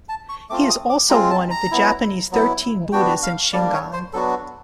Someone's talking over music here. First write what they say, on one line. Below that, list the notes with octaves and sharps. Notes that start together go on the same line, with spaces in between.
He is also one of the Japanese Thirteen Buddhas in Shingon.
A5
C#6
A3 C4 F4 D6
D#6
D6
G#3 C4 F4 A#5
A5
A#5
F#3 B3 E4
F#3 B3 E4
B3 D4 F#4 G5
F5
G3 A#3 D4 D5
C#5
C5
F#3 B3 D4 F#4 A4